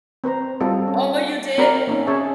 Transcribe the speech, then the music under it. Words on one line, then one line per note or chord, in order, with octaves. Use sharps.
Oh, you did?
C4 B4 C5 A#5
G3 C4 F4 F#4 A4 D#5
C#4
C4 F#4 A#4 D5 A#5 B5
A#3 C#4 D#4
C#4 G#4 C#5 E5 A5